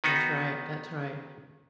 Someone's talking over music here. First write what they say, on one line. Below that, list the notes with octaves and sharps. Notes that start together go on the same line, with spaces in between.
That's right, that's right.
D#3 B3 D#4 F#4